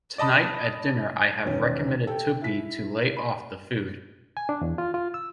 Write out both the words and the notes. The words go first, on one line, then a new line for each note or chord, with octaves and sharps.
Tonight at dinner I have recommended Tuppy to lay off the food.
D5 D#5 A5 B5 D#6
E1 D#3 C#4
G4 A4 G5
E4 B6
B5
G#5
D4
E2
F4
F4
E6